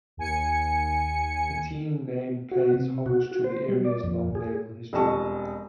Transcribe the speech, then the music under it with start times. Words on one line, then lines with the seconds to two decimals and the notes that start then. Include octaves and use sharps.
The team name pays homage to the area's long naval history.
0.17 D#2 G#5 C#7
2.51 F#4
2.74 C3
3.06 F#4
3.31 F#4
3.44 C5
3.69 G3
3.84 D5
4.04 F2
4.35 G#4
4.93 E1 F2 G3 D#5 A5 C#6